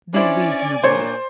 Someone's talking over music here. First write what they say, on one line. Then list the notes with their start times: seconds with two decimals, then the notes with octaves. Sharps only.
Be reasonable.
0.14 C#4 D4 E4 C5 D5 G#5
0.83 A#2 D4 C5 C#5